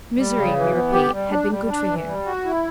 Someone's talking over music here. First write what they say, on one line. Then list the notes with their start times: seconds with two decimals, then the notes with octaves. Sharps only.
Misery, we repeat, had been good for him.
0.17 G3
0.35 C#3
0.55 E3
0.74 B3
0.92 G4
1.12 G3
1.31 D4
1.50 G3
1.69 D4
1.88 E3
2.06 G3
2.25 F#4
2.45 E4